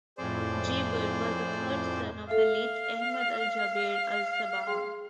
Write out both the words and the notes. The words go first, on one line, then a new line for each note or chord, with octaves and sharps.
Jaber was the third son of the late Ahmad Al-Jaber Al-Sabah.
F2 A2 G#4 C5 D5
A4 E5 F5
G#4 G5 C6